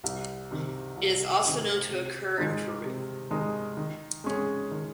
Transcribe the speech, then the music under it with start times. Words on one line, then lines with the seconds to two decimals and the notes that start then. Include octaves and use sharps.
It is also known to occur in Peru.
0.04 C2
0.51 C3 D#3
0.97 C2
1.45 C3 D#3
1.90 C3
2.38 D#3 G#3 D#4
2.85 C3
3.31 D#3 G#3 D#4
3.77 D#3
4.24 G#3 C#4 G#4
4.71 D#3